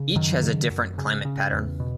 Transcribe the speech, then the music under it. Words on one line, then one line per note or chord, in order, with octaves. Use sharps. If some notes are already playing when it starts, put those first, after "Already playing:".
Each has a different climate pattern.
Already playing: C#3
F#2 D#3 F#3
C#3
F#2
C#3
C#3
E2
B2